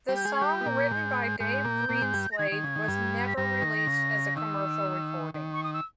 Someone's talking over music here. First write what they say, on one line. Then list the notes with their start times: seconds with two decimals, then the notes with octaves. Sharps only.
The song, written by Dave Greenslade, was never released as a commercial recording.
0.09 G3 G4
0.16 G6
0.25 G#3 G#4
0.34 G#6
0.41 G3 G4 G6
0.61 B3
0.66 A#2 A#3
0.91 G#2 G#3
1.40 G#2 G#3 G6
1.64 A#2 A#3
1.89 A#2 A#3
2.02 G#2 G#3
2.14 G2 G3
2.32 A#6
2.39 D#3 G#6
2.52 D#3
2.63 C#3
2.75 D#3
2.88 G2 G3
3.27 B6
3.37 G2 G3 A#6
3.62 D#3
3.87 C#3
4.36 D#3 E6
5.34 D#3
5.54 C#6
5.64 D#6
5.73 E6